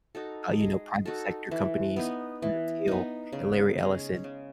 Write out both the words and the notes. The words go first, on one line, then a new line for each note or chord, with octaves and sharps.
uh, you know, private sector companies, you know, Peter Thiel and Larry Ellison,
D#4 F#4 A4
G#3
D#4 F#4 A4
E3
B3 D#4
E3
B3 D#4
C#3
G#3 C#4
C#3